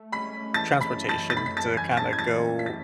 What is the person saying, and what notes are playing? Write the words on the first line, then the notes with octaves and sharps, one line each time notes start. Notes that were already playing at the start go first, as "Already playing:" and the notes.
transportation to kinda go
Already playing: A3
C#4 B5 B6
E3 A5 A6
B5 B6
F#2
A5 A6
A6
A3 B5 B6
B6
A5 A6
C#4 G#5 G#6
A5 A6
G#6
E3 A5 A6
B6
A6